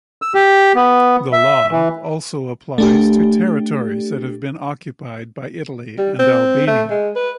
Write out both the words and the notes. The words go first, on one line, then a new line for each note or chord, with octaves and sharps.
The law also applies to territories that have been occupied by Italy and Albania.
E6
G4
B3
E5
E3
A3 D4 G4
G3
C4
A3
G#3
B4